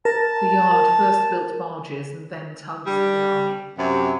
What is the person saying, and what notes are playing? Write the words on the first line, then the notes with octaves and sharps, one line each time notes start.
The yard first built barges and then tugs for the Army.
A#4 A5
G3 D4
F#2 C3